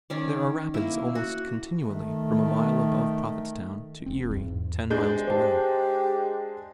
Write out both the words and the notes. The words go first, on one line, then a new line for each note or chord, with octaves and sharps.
There are rapids, almost continually, from a mile above Prophetstown to Erie, ten miles below.
D#3 C#4 D5
A#3 E4
F#4
D#3 A3
E1 C4
E2 G#2
B2 G#3 D4 G6
C3
G4 C5 A5